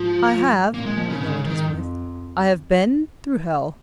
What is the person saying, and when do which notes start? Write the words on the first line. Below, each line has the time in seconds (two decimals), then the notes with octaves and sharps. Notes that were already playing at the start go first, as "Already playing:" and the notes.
"I have"--he lowered his voice--"I have been through hell."
Already playing: G#2 F3
0.74 A#2 A#3
0.86 G#3
0.97 F3
1.10 C#3
1.21 G#2 C#3
1.45 D#3
1.68 F2